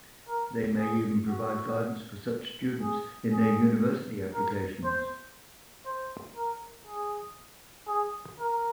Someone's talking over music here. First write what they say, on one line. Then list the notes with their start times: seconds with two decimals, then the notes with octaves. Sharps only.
They may even provide guidance for such students in their university applications.
0.28 A#4
0.78 G#4
1.29 F#4
2.82 G#4
3.32 G#4
4.34 A#4
4.84 C5
5.86 C5
6.36 A#4
6.87 G#4
7.88 G#4
8.39 A#4